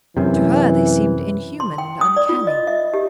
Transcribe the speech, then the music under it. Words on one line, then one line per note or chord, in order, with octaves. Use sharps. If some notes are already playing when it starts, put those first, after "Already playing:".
To her they seemed inhuman and uncanny.
F#2 C3 E3
C6
G5
D#6
D5
F4
D#5
E5
G4